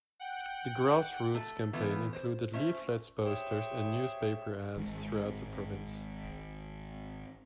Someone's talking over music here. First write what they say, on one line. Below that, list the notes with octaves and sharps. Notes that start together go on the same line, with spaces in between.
The grass-roots campaign included leaflets, posters, and newspaper ads throughout the province.
F#5 G5
A3 A4
E3 G#3 A3 B3 E4 F4
C5
A3 C#4 C5 E5
G4 G#4 C5 C#5 E5
G#1 G#2